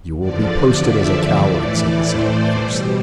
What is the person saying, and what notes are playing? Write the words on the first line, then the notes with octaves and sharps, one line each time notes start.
"You will be posted as a coward," said the second, fiercely.
E2 D3 F3 D5
E5
A2 E3 A3 D5
C5
B2 G3